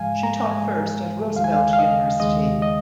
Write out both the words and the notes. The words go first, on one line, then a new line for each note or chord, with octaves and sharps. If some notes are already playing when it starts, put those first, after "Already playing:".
She taught first at Roosevelt University.
Already playing: G#2 F3 G#3 F5 G#5
A#5
G#2 F3 G#3 G#5
D#2 D#3 G#3 F5
G#5
F5
F5
D#5
D#2 D#3 G#3 D#5
D#5